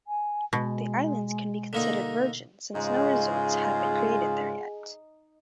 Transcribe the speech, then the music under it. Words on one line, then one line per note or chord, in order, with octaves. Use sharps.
The islands can be considered virgin since no resorts have been created there yet.
G#5
B2 G#3
D3 A#3 D#4
G#2 C#3 G#3 D#4 F4 G#4